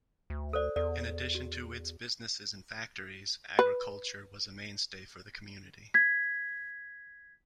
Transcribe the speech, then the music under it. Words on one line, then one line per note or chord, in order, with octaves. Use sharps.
In addition to its businesses and factories, agriculture was a mainstay for the community.
D2
A4 C5 D5
E2 A4 D5
F#4
B4
G#6 B6